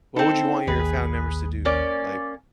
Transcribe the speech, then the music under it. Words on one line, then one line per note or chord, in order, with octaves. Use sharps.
What would you want your family members to do? Like
C4 D#4 A4
A1 D#2 G#4 B4
A#3 C#4 D5